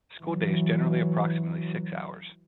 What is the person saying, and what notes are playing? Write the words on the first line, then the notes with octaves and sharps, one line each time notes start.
The school day is generally approximately six hours.
E3 F#3